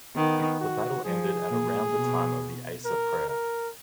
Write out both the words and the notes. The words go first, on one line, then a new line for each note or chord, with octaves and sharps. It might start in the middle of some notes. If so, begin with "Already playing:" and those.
The battle ended at around the time of the Asr prayer.
D#3 B3
F#4
F3 G#4
A#2
B2
A#4
A#4